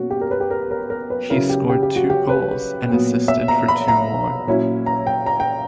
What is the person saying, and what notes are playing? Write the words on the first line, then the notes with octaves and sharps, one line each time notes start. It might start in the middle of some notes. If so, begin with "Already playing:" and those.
He scored two goals and assisted for two more.
Already playing: B2 A#3 C#4 F#4
G4
A#4
B4
G4
A#4
A#4
A#4
B4
C#3 F#3 C#4 E4 A#4
G4
G4
G4
F#4
G4
B4
A#2 F#3 B3
E5
A#5
B5
A#5
A#2 F#3 C#4 E4
A#5
G5
A#5
G5